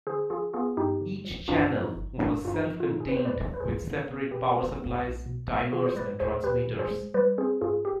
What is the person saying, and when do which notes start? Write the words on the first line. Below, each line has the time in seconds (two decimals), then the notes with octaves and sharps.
Each channel was self-contained with separate power supplies, timers, and transmitters.
0.07 D3 G#4 C5
0.30 F3 F4 G#4
0.53 B3 F4 G#4
0.77 G2 D#4 G4
1.01 D3
1.25 F3
1.48 G2 D4 F4
1.72 F3
1.84 D#4
1.95 G1
2.19 G1 D4
2.42 G2 F4
2.54 D#4
2.66 F3
2.80 F4
2.89 D#3 D#4
3.00 G#4
3.09 B4
3.13 B3 C5
3.25 B4 D5
3.37 D#2
3.54 B4
3.60 D#2 G#4 C5
3.84 D#3
4.08 B3
4.31 B2 G4 B4
4.55 G#3
4.79 B3
5.02 B1
5.26 B2
5.49 G#3
5.73 D#3 F4 G#4
5.86 C5
5.96 G#3 B4 D5
6.20 D#2 G#4 C5
6.44 D#2 G4 B4
6.67 D#3
6.79 G#4 C5
6.91 G#3
7.14 G3 B4 D5
7.38 C4 G#4 C5
7.61 G#2 F4 G#4
7.85 G4